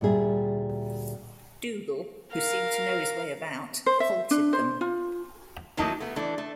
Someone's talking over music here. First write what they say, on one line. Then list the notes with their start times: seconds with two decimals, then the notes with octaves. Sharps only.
Dougal, who seemed to know his way about, halted them.
0.01 D2 A#2 G3 G#4 E5
2.34 A#4 F5
3.86 C5
4.00 E5
4.31 D4
4.53 C5
4.81 F4
5.77 D#3 F#3 A3 A#3 D#4 E4
6.00 A3 B3
6.16 E3 A3 D4
6.38 A3